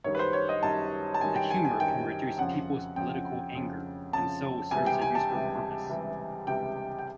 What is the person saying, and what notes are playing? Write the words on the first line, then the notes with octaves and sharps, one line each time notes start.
The humour can reduce people's political anger and so serves a useful purpose.
F#2 D#3 G3 C#5
B4
C5
C#5
D#5
F#2 D#3 G3 A5
A5
F#2 D#3 G3 G#5
G5
G#5
G#5
F#2 D#3 G3 G5
F2 C#3 F3 F#5
F2 C#3 F3 G5
F2 C#3 F3
F2 C#3 F3 A5
C#2 C3 E3 G3 G#5
G5
G#5
A5
C#2 C3 E3 G3
C#2 C3 E3 G3
C#2 C3 E3 G3 G5
G5